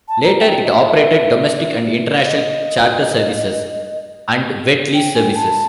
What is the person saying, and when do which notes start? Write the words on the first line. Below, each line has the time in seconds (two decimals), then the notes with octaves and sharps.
Later it operated domestic and international charter services and wet lease services.
0.08 A5
0.24 A#5
0.40 G5
0.64 D#5
0.71 E5
2.26 D#5
4.94 G5
5.15 G#5
5.35 A5